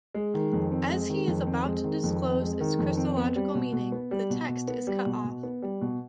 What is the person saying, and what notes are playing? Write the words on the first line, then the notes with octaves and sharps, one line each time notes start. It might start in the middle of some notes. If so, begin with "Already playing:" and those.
As he is about to disclose its Christological meaning, the text is cut off.
G#3
D#3
F2
C4
G#3
D#3
F2
C4
G#3
D#3
F2
C4
G#3
D#3
F2
C4
B3
G3
B2
B2
B3
G3
B2
B2
B3
G3
B2
B2
B3
G3
B2